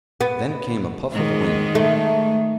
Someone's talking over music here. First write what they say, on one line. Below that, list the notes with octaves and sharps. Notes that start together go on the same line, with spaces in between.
Then came a puff of wind.
B3
G#2 D#3 G#3
A3